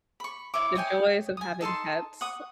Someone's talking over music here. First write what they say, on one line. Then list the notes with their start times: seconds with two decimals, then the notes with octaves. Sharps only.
the joys of having pets.
0.20 B5 C#6
0.54 E4 C#5 E5 D6
0.76 C#5 D#5 G5 G#5
1.37 G#5 D#6
1.61 D#4 A4 A5 C6
2.21 F#5 C#6 D#6